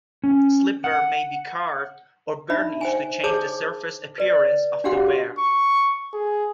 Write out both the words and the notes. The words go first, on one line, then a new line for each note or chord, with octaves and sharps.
Slipware may be carved or burnished to change the surface appearance of the ware.
C#4
F#5
D4 D#4 E5 B5
C5 G5 G#5
G#4 C5 C#5 A5 D6 D#6
B4 D5
D4 F#4 G4 F5 F#5 C6
C#6
G#4